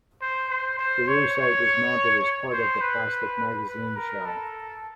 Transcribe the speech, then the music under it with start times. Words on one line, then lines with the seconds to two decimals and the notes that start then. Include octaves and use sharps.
The rear sight is mounted as part of the plastic magazine shell.
0.21 C5
0.50 C5
0.79 C5
1.08 C#5
1.37 C#5
2.53 C5
2.81 B4
3.68 B4
3.96 A#4
4.26 A4